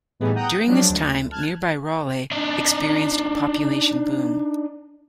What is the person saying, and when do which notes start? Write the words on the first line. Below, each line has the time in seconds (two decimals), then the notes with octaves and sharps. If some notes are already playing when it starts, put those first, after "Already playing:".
During this time, nearby Raleigh experienced a population boom.
0.20 A2 E3 G3 B3 D#4 G#4
0.35 F#5 G5 A#5 D#6 F#6 G6
0.66 F3 F#3 G#3 D4
0.89 D2
1.31 A5 F6 F#6 G#6
2.32 D4 D#4